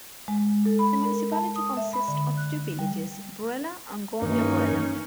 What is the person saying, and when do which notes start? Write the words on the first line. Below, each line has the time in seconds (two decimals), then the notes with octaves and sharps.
The municipality consists of two villages: Brela and Gornja Brela.
0.28 G#3
0.65 A4
0.79 B5
1.04 A#4
1.32 A5
1.56 D#6
1.77 E5
1.93 B5
2.08 D3
2.37 F#6
2.79 G3
4.22 G2 D#3 E3 A#3 C#4 D#4